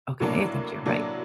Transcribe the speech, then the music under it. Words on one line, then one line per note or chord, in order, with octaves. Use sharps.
"Okay, I think you're right."
A2 F#3 A#3 D4
A2 F#3 A#3 D4